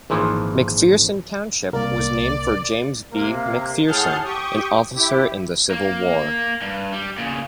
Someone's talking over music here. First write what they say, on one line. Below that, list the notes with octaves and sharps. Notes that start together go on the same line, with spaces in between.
McPherson Township was named for James B. McPherson, an officer in the Civil War.
G#1 A#2 E3 F3
C2 A#3 A#4 D5
C3 A#3
A2 G#4 F#5 A5 F6 G6
G4 G5 C#6 D#6
E4 G4
A#3
G2
G3
A#2 C#3